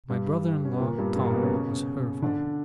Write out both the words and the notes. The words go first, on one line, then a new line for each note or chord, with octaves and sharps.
My brother-in-law, Tom, was her father.'
G2 G3
C#4
B3
A#2 A#3
G2 G3
G2 G3
A#2 A#3
B2 B3
C#3 C#4
D3 D4